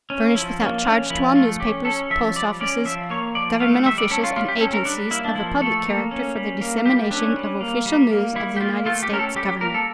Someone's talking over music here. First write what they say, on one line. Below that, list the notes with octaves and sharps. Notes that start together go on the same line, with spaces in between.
"Furnished without charge to all newspapers, post offices, government officials and agencies of a public character for the dissemination of official news of the United States Government."
C#4
F3 E4
A#3 C#4
C#4 D4
F3 E4
A3 F4
C#4 G4
C#4 A4
F3 E5
G3 D5
C#4 D5
F3 E5
A#3 C#5
F3 D5
A3 F5
G3 E5
D5
C#4 A4
F4
G3 F4
G4
C#4 A4
A#4
G3 D4
A#3 E4
D4
F3 E4
A3 A4
A#3
C#4
G3
A#3
G3 G4
C#4 D4
G3
A#3
G3
A#3
G3 E4
G4
A#3 F4
A3 F4
G4
C#4 A#4
A4
G3 G4
G4
A#3 A#4
A4